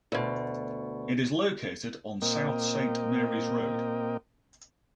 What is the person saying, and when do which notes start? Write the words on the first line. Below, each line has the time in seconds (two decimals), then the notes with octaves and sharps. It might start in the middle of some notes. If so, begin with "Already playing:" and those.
It is located on South Saint Marys Road.
0.12 D2 B2
2.22 A#2 A#3 C4 A#4 D#5 G5